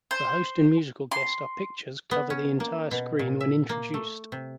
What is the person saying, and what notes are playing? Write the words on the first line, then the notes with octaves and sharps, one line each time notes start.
The host and musical guest are pictures cover the entire screen when introduced.
C5
C6
B3
C#4
A#3
B2
A#2
E5
A#3
A3
C3